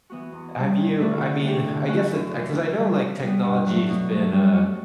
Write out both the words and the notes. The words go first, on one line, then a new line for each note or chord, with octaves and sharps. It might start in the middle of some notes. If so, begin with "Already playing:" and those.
have you I mean, I guess it 'cause I know like technology's been, uh,
E3 B3 F#4
E2
B2 G3
G2
D3 A3 E4 A4
D3
A3 D4 G4
D3
A3 C#4 F#4 B4
F#2
C#3 E3
D2
C#3 G3
C#3
G3 B3
G2
F#3 A3
B2
F#3 A3
G3
C#4 F#4